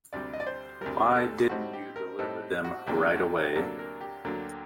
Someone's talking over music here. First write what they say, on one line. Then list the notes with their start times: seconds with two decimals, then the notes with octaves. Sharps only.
Why didn't you deliver them right away?
0.13 D2 C3 G3 D5
0.33 D#5
0.40 D5
0.47 C5
0.81 D2 C3 G3 A#4
1.15 A4
1.49 A2 G3 C4 D#4 F#4
1.73 G4
1.96 A#4
2.19 A2 G3 C4 D#4 A4
2.64 F#4
2.86 D2 C3 F#3 A#3 D4 G4
3.16 F#4
3.22 G4
3.44 G4
3.55 D2 C3 F#3 A#3 D4 A4
3.79 A#4
4.01 G4
4.25 D2 D3 F#3 A#3